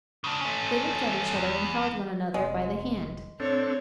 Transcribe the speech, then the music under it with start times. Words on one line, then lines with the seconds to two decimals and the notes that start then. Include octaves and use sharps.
They looked at each other and held one another by the hand.
0.24 C#3 D4
0.41 A3 C#4
1.36 E2
2.34 F1 G#3 B3
3.40 A2 C4 D4 A4 C#5